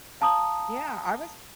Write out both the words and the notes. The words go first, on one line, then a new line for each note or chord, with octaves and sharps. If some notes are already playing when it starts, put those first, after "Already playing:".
Yeah, I was
F5 A5 A#5 D#6